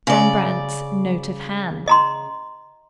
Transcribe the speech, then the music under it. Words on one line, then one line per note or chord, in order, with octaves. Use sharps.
Van Brandt's note of hand!
C#3 D5
D#5 A#5 C6